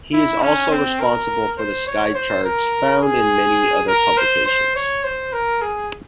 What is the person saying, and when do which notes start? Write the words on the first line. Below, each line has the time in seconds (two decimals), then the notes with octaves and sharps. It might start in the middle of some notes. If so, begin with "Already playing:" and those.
He is also responsible for the sky charts found in many other publications.
0.13 E4
0.42 C#4
0.71 C4
1.00 A#4
1.58 C5
1.87 C#5
2.15 C5
2.44 A#4
3.02 G#4
3.88 A#4
4.17 C5
4.46 C5
4.75 C#5
5.04 C5
5.33 A#4
5.61 G#4